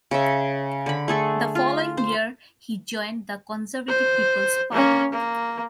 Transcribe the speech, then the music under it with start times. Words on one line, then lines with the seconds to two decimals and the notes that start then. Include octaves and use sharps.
The following year, he joined the Conservative People's Party.
0.11 C#3 E5
0.86 D3 B5
1.08 A3 G#4 A4
1.55 F4
1.97 C5
3.89 C5
4.72 A#3 C#4
5.13 A#3